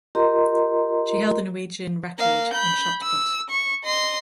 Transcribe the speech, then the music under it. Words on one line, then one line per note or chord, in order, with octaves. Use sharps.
She held the Norwegian record in shot put.
F4 G4 A#4 D#5 A#5 C6
A#3 F5
B5 G6
E6
C#6
D#5 C6